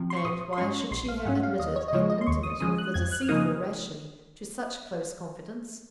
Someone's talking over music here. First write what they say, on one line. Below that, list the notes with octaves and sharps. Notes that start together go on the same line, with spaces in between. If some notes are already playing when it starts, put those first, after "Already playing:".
And why should she have admitted an intimate of the deceitful Rashleigh to such close confidence?
Already playing: C3 F3
C6
C#6
A#1 D#6
C6
G#2 F#3 C#4 C#6
A#1 C6
F5
G#2 F#3 C#4 F#5
F5
D#2 D#5
C#5
D#5
C#3 F3 G#3 C#5
D#5
C6
D#2 C#6
D#6
C#3 F3 G#3 D#6
F#6
F2 G#6
F#6
F6
C#3 F3 A#3 D#4 D#6